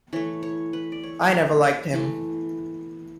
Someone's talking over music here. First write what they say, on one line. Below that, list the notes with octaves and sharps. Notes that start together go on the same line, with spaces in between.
I never liked him.
E3 A3 C#5
C#5
B4
D5
C#5
E3 A3